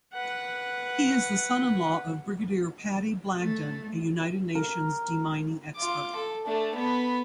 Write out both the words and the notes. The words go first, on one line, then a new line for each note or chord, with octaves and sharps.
He is the son-in-law of Brigadier Paddy Blagden, a United Nations de-mining expert.
B4 F#5
A3
A#4
F4 D6
A4
A3 D4
B3 B5